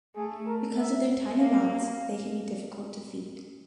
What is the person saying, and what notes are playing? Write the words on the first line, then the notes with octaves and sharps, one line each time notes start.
Because of their tiny mouths, they can be difficult to feed.
A3 G#4
A#4
E5
A#3 F5